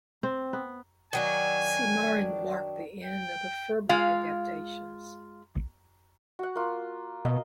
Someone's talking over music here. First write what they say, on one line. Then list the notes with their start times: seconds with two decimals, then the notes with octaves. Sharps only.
"Cimarron" marked the end of the Ferber adaptations.
0.23 C4
0.53 B3
1.13 D#3 F#3 D4 G#5
3.04 G5
3.89 G#3 F4 F5
6.39 F#4 F#5
6.56 A#3 F4
7.25 B2 D#5